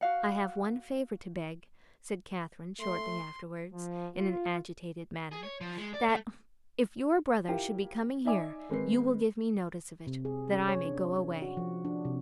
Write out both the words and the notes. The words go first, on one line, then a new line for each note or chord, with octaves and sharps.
"I have one favour to beg," said Catherine, shortly afterwards, in an agitated manner, "that, if your brother should be coming here, you will give me notice of it, that I may go away."
F#4 F5 F#5
A3 C6
F3
F4
G#4
C#5
F3
G#3
D5
A3
E4 F4 G4 A#4 G5
D#4 D5 E5 G#5 D6
D#3 G#3 C4 B4 C7
C3
G#4
C#4
C#5
D4
F#4
F3
D4
C3